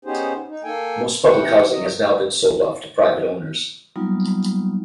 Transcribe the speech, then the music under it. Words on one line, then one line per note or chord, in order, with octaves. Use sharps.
Most public housing has now been sold off to private owners.
B3 C#4 D#4 G4 G#4 C5
D#4
A#3 A4 G5 G#5
C3 E3 F#5 G5
F#3 D#5
F#3 G3 A#3 B3 D#4 F4